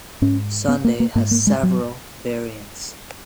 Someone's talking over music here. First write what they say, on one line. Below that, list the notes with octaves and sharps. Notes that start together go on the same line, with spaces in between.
Sunday has several variants.
G#2 C#4
B3
A#3
A#3
G#2 A#3
A#3
G#3
F#3